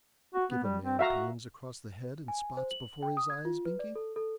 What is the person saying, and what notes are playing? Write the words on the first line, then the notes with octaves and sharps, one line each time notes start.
What give a man pains across the head and spots before his eyes, Binkie?
F#4
B3
G3
C4
F#4 E5 F5 A#5
G#5
C5
F#7
G5
D#6
G#6
F4
B4
D5
A4
A4